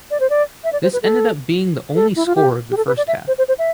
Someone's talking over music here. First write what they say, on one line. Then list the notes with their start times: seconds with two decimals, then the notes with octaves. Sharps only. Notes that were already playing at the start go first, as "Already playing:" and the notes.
This ended up being the only score of the first half.
0.11 D5
0.20 C5
0.30 D5
0.64 E5
0.72 D5
0.83 C5
0.93 B4
1.03 A4
1.95 A4
2.16 E4
2.26 F4
2.36 G4
2.71 G4
2.77 A4
2.87 B4
2.97 D5
3.08 E5
3.28 C5
3.38 C5
3.48 C5
3.58 E5